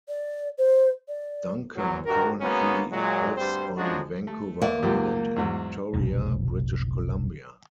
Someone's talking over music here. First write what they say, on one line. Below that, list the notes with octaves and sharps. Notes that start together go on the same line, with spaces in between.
Duncan currently lives on Vancouver Island in Victoria, British Columbia.
D5
C5
D5
G#1 E2 G#2 F#3
G2 D#3 F#4 A#4
G#3 A#3 B3 C#4 D#4 F#4
A#2 F#3 G#3
D2 G2 G3 C4 C5
F#2 F3 G#3 D4 D#4 F#4
A3
A#3 D5 E5 F#5
C#2 F#2 G4
E2 G#2 F#3
F1 B1 A#2 C#3